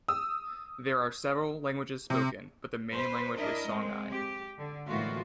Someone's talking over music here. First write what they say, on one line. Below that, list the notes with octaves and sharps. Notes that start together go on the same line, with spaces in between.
There are several languages spoken, but the main language is Songhay.
D#6 E6
C3
B4 C5
D4 E4 A#4 D#5
G#3 C4
G4
D3
A2 E3 G#3 A#3 F4 F#4